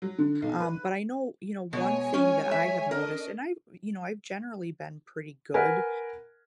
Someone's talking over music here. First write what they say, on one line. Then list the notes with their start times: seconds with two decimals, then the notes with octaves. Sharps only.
Um, but I know you know, one thing that I have noticed and I you know, I've generally been pretty good
0.02 F#3
0.18 D3
0.42 B1
0.60 B4
1.73 B2 G#3 C#5 G#5
2.14 C#4
2.51 E5
2.91 C#4 D4 A#4 D#5
5.54 A#4 B4 F#5 G#5